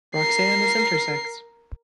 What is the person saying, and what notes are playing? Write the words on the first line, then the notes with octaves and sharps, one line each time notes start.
Roxanne is intersex.
A#4 C7